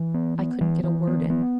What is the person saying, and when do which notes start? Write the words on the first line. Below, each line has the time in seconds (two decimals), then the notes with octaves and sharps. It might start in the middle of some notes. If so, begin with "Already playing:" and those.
I couldn't get a word in.
Already playing: E3
0.14 B3
0.38 B3
0.61 E3
0.84 E3
1.07 B3
1.30 B3